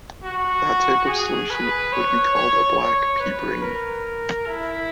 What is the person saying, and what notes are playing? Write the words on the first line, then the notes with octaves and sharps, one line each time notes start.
That type of solution would be called a black "p"-brane.
F#4
G#4
B4
C#5
C#5
C#5
B4
A#4
E4